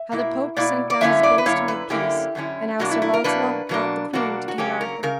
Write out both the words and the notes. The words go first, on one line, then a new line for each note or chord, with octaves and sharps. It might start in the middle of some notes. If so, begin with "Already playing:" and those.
How the Pope sent down his bulls to make peace, and how Sir Launcelot brought the queen to King Arthur.
Already playing: E5
B2 A#3 E4
B2 A#3 E4 D5
D5
F#2 D3 A#3 C#4 E4 E5
D5
B4
F#2 D3 A#3 E4 C#5
B4
F#2 D3 A#3 C#4 E4 G4
F#2 D3 A#3 C#4 E4
B2 F#3 A#3 D4 F#4
E4
E4
A#4
B2 F#3 A#3 D4 B4
B2 F#3 A#3 D4
B2 F#3 A#3 D4 F#4
F#4
C#3 F#3 A#3 C#4 G4
A#4
C#3 A#4